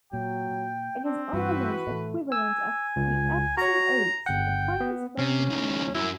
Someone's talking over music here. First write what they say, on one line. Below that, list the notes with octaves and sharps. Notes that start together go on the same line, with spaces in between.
It is Ireland's equivalent of the Epsom Oaks, a famous race in England.
A#2 F#3 G5
C4 D4
G2 E3 F#4 B4
A2 E3 A3
G#5 E6
C#2
F#4 C#5 A#5
G1 F#5 G5
B3
C3 C#4
C#2 D#3
F#2 E4